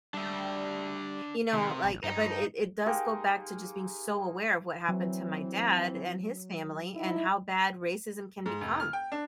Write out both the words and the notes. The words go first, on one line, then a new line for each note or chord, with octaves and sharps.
you know, like but it it does go back to just being so aware of what happened to my dad and his family, and how bad racism can become,
G3 D4 E5
C3 D#3
A1
G2 D#4
G#3 A#3 D#4 G4
E3 F#3 C4
D#4 E4
G#2
F1
F6
G5
D4